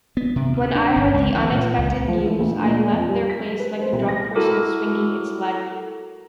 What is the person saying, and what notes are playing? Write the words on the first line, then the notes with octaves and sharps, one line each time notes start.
When I heard the unexpected news I left their place like a drunk person swinging its leg.
B3
C3
D2
D4
G1
C#2
E3
A#2
C#2
F3
E3
D2
A#2
F2
G3
B6
B4
C5
C2
A#6
E4 F#4 A4 A#4 D6